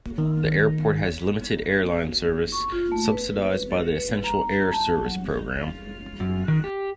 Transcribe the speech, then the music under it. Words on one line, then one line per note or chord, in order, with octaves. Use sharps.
The airport has limited airline service, subsidized by the Essential Air Service program.
D#3
C#6
F4
A3
B4
B4
A#5
A5
F#3
F#2
D#3
G4